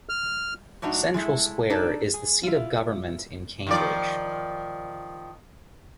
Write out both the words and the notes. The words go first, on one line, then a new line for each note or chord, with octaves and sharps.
Central Square is the seat of government in Cambridge.
F6
A2 F#3 D4 D#4 F#4
G#3 A3 E4
D4 D#4 A4 D5
G#4
E4 F4
D#3 F3 D5